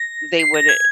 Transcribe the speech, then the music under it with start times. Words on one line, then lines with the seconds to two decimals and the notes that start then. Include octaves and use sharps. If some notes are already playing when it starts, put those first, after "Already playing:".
they would i
Already playing: A#6
0.39 C7
0.54 A#6
0.69 G#6